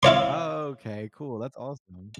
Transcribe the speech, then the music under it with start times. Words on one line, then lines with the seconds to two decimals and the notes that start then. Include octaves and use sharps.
Oh, okay, cool. That's awesome.
0.03 E4 F4 C#5 C6